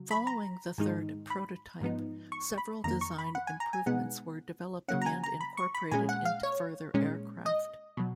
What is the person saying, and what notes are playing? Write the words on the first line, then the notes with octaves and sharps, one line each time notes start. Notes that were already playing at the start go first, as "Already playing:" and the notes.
Following the third prototype, several design improvements were developed and incorporated into further aircraft.
Already playing: C#3 F#3
B5
A#5
G#2 D#3 G#3 D#4
B5
G#2 F3 B3 D#4
C#6
B5
F2 D#3 A#3 A#5
C#6
B5
F#5
G#5
A#5
G#5
B2 G#3 B3 D#4 F#5
C#3 F#3 A#3 C#4 F#5
A#5
G#5
A#5
B5
C#6
B5
A#2 G#3 C#4 G#5
F#5
F5
C#5
A#2 G#3 C#4
D#5
B2 F#3